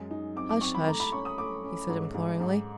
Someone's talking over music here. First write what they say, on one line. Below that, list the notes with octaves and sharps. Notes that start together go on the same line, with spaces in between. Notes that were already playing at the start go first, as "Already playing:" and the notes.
"Hush--hush!" he said imploringly.
Already playing: F#2 G#3
D#4
C4 D6
D6
C4 C#6
B5
A3 A#5
B5
C#4 C#6
D#6
A3 D6
C#4
G#2
G#2
G#2